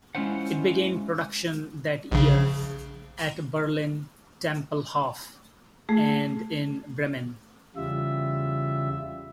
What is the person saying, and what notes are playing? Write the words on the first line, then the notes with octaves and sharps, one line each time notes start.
It began production that year at Berlin Tempelhof, and in Bremen.
G#3 C#4 E4 F4 C5 F#5
A#1 C#3
A3 G#4
E2 C#3 G3 F4 E5